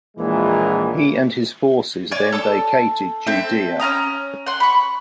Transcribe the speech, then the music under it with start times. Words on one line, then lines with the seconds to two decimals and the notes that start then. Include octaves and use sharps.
He and his forces then vacated Judea.
0.17 A#1 A#2 E3 G#3
2.11 C#5 D5 G#5
2.32 A4 A5 E6
3.27 C4 A4 E5
3.80 C#4 F4 A#5 D#6
4.46 F#5 C6
4.60 B5 C#6